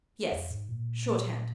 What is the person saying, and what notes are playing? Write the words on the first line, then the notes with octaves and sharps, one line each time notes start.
'Yes, shorthand.
F2
G#2
A#2